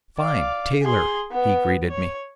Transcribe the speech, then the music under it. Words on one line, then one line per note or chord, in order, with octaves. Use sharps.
"Fine, Taylor!" he greeted me.
D5 F5
G#4 C6
B3
C#5